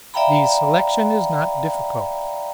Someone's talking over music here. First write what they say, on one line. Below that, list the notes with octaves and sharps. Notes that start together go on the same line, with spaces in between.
The selection is not difficult.
D5 E5 F5 G5 A#5 B5